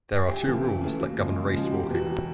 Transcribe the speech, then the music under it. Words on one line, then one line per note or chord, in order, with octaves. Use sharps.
There are two rules that govern racewalking.
G#4
D2 G4
C#3 E3 A3
D2
C#3 E3 A3
D#2 F#4
C#3 F3 G#3
D#2
C#3 F3 G#3
F#4
E1 G4
G4
E2 B2
F#4
E1